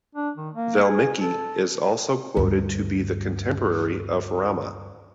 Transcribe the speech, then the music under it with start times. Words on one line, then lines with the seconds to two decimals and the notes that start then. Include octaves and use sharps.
Valmiki is also quoted to be the contemporary of Rama.
0.15 D4
0.37 D#3
0.54 A#3
0.83 G#4
1.18 A4
2.37 D2 G2